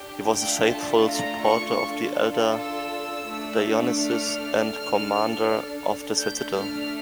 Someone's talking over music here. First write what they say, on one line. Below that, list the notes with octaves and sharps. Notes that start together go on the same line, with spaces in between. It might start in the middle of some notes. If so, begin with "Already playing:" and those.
He was a faithful supporter of the elder Dionysius, and commander of the citadel.
Already playing: D4 G4
A3 D4 F4 A4 G5
A5
A#5
C#6
D4 F4 A4
E6
A3 D4 A4
F6
D4 A4
A3 D4 A4 G6
F6